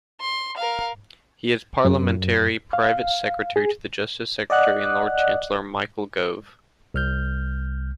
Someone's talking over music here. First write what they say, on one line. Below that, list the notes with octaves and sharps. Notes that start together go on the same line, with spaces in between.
He is Parliamentary Private Secretary to the Justice Secretary and Lord Chancellor, Michael Gove.
C6
A#4 F5
F#2
F5
G#4
D5 D#5 F#5 F#6
C2 F6 G6